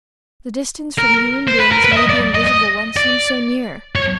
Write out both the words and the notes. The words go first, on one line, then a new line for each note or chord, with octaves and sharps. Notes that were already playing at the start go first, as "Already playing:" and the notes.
The distance from human beings made the Invisible One seem so near!
A#4
C5
B4
A#4
B4
E5
D#5
D5
D#5
D#5
D5
C#5